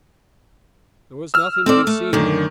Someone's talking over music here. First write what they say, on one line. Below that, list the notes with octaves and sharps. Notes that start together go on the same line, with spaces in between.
There was nothing to be seen.
E6 F6
C4 A4 D5
A3
F#2 D3 D#3